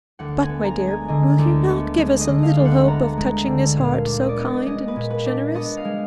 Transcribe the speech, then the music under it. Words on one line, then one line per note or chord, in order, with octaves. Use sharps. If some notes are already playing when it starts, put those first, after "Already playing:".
But, my dear, will you not give us a little hope of touching this heart, so kind and generous?
D2 F#5
G#5
B3
A#5
G#3
G#5
D3 D#5
D2
B3
G#3
D#5
D3
F5
D2
F#5
B3 A#5
G#3
D3
A#2 F5
D4
D#5
D5
B3 D#5
G#3 D#5
B4
A#2
B4
D4
B3 D#5
F5
G#3